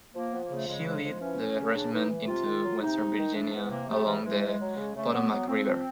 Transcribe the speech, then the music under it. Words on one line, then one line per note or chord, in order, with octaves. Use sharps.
He led the regiment into Western Virginia, along the Potomac River.
F3 A#3
F3 B3
A#3
C#3 A3
C#3 G#3
F3 G#3
F3 G#3
E3 C#4
E3
C#3
C#3 D4
E3 D#4
E3
C3 F4
D#3
F#3
C3 D#4
C3
D#3
E3 D4
E3 B3
C3 A#3
C3 A3
E3 G3
E3 G#3
F#3 G#3
F#3
C#3
C#3 A3
F#3 B3
F#3 B3
F3 C4
F3